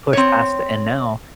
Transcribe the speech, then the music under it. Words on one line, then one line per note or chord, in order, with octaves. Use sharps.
push past it and now
C4 C#5